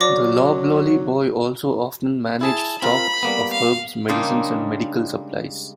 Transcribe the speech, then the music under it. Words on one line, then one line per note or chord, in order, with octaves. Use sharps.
The loblolly boy also often managed stocks of herbs, medicines and medical supplies.
F#3 D5 D6 A#6
E4 G#4 A5
C4 F4 A#4 B5
G3 A#3 B3
F5
C#3 G3 G#3 A#3 D4 D#4